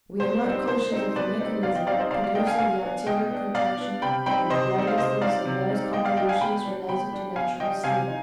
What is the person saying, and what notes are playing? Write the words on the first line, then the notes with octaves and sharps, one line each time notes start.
We are not conscious of the mechanism producing the arterial contraction and the bloodlessness of those convolutions related to natural sleep.
B2 C5
G3 C4 D#4
B2 C5
G3 C4 D#4
B2 B4 D5
G3 C4 D#4
B2 D5 F5
D#5 G5
G3 C4 D#4 D5 F5
C5 D#5
B2 D5 F5
D5 F5
B3 D4 D#5 G5
F5 G#5
B2 F5 G#5
B3 D4
B2 D#5 G5
B3 D4
B2 D5 F5
B3 D4
C3 G5 B5
G3 C4 D#4 G5 B5
C3 C5 D#5
G3 C4 D#4
F5
C3 C5 D#5
G3 C4 D#4 D5 F5
C3
G3 C4 D#4
B2 D#5 G5
D5 F5
G3 D4 D#5 G5
F5 G#5
B2 G5 B5
G3 D4
B2 G5 B5
G3 D4
B2 F5 G#5
G3 D4 D#5 G5
C3 F5 G#5
D#4